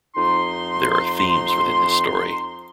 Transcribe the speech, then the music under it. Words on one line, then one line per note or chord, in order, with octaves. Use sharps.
There are themes within this story.
F2 D#4 C6